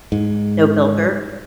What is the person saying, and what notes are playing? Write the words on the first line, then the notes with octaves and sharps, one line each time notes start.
No filter.
G#2